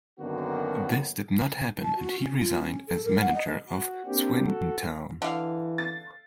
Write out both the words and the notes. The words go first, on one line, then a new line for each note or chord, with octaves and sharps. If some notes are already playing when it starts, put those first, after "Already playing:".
This did not happen and he resigned as manager of Swindon Town.
F#2 D3 D#3 A#3 B3 F#4
A5
F#4
C#4
F4
C#4
A4
A#4
F#5
D#5
F#4
A#3 C4 D4 G4
F#4 A4
D3 E3 F5
A6